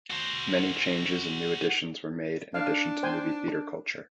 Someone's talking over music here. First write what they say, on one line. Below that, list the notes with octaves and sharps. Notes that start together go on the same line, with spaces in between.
Many changes and new additions were made in addition to movie theatre culture.
F#4 C5
D4 F5
C5 G5 G#5